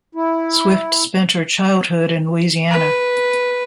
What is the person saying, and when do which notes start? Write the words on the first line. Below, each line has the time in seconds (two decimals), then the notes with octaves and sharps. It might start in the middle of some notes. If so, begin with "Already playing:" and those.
Swift spent her childhood in Louisiana.
0.15 E4
2.70 B4